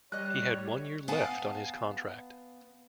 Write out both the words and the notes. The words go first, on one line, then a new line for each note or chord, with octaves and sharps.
He had one year left on his contract.
G3 C#5 D#5 F#6
B3 F5 G#5 A5